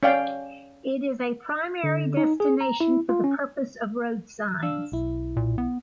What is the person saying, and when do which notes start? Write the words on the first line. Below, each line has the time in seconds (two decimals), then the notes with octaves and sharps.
It is a primary destination for the purpose of road signs.
0.03 C#4 D5 F5 G5
1.84 D3
2.17 D#4
2.40 G#4
2.61 A#5
2.80 E4
3.09 F4
3.24 C#4
4.63 D4 F5 E6
4.92 B1 E4
5.36 A#2
5.58 B3